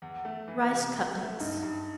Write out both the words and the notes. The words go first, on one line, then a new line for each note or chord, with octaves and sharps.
Rice Cutlets.
E2
A3
E3
C3
E2
A3
G2 D#4
G2